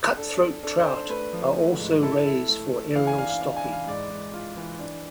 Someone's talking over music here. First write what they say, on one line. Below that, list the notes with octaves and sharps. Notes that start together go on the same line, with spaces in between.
Cutthroat trout are also raised for aerial stocking.
D4 A4
D4
D4 A4
C5
D4
C5
A3 B4
F3
A3
G#2
E4 A4
E4
A3
A3
E3 F5
G#5
D4 F5
F5
D4 F5
G#5
E3
F5
G#2 D5
G#2
F4
E3
D4